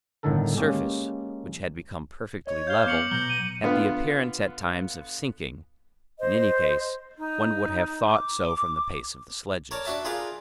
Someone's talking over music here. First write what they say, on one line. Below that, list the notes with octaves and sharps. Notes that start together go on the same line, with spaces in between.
The surface, which had become perfectly level, had the appearance at times of sinking; in any case, one would have thought so from the pace of the sledges.
G1 A2 D3 D#3 A4 A#4
G#3 A#3 C#4 G4 A4
C#5 D#5
F5 G6 G7
B3 D6 C#7 F#7
B2 F#3 A#5 G6 G7
D#7
D3 B3 F4 B4
C5 D#5
D#4
D6
A#4 C#5 D5 A5
D4 F#4 E5 A5
F4 G#4 A#4 B4 D5 F5